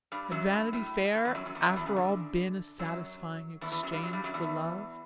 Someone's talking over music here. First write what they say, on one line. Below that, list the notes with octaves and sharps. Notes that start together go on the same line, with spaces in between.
Had Vanity Fair after all been a satisfying exchange for love?
G2 G3
F#2 F#3
G2
A2
A2
E2 E3
F#2 F#3
F#2 F#3
E2 E3
F#2 F#3
E2 E3
C#3
D3
F#2 F#3
E2 E3
E2 E3
F#2 F#3
G2 G3
F#2 F#3
G2 G3
F#2 F#3
E2 E3